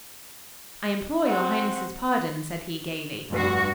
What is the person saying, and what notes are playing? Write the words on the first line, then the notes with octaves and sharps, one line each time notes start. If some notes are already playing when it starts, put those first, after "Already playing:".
"I implore your highness's pardon!" said he gaily.
C4 F#4
F1 G2 F#4 B4 C7